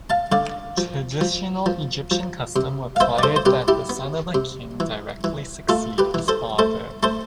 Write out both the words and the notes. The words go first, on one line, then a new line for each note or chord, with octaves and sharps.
Traditional Egyptian custom required that the son of a king directly succeed his father.
F5 A5
D3 D5 F5
F3
F3
F3
F3
C3
F5
B3 C5 E5
D5
A4 C5
C5
C3 G4 B4
E4 G4
B3
C3
E3
E3
A3 F4 A4
G4 B4
E3
A4 C5
A3 A4 C5
A3 A4 C5